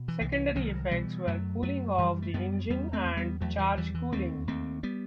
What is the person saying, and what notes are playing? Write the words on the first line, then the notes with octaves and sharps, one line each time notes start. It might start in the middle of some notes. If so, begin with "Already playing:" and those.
Secondary effects were cooling of the engine and charge cooling.
Already playing: B2
E3
C2 D#3
E3
C2 D#3 F#3
B2 E3 G3
F#2 F#3 A3
F#2 F#3 A3
F#2 E3 G3
A3
F#2 G3 B3
E2 G3 B3
A3 C4
E2
G3 B3
E2 F#3 A3
E3 G3
E2 E3 G3
E3
D#2 A3 C4
D#2 A3 C4
G3 B3